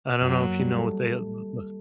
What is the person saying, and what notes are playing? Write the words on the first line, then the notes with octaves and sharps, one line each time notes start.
I don't know if you know what they, uh, v v
F#2 F#3
A#3
G3
A4